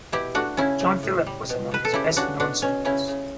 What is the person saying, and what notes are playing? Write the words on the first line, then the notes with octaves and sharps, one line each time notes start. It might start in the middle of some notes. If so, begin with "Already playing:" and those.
John Phillip was among his best known students.
B2 E4 G4
A3 D4 F#4
C#3 C#4 E4
C#3
A2
G3
B2
B2 B4
A4
C#3 E4 G4
C#3 D4 F#4
B2 D4 F#4
B2 C#4
C#3 C#4 E4
C#3